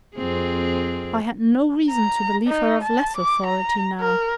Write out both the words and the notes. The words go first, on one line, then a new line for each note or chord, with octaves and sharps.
I had no reason to believe her of less authority now.
F2 C4 G#4
A#5
D#4
A5
D6
A#5
A#4